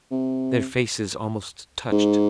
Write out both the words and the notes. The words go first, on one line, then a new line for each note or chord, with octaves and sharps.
Their faces almost touched.
C3
G#2